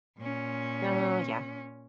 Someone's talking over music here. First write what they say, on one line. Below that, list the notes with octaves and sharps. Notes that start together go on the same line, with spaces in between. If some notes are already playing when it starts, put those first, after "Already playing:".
Oh, yeah.
A#2 C#4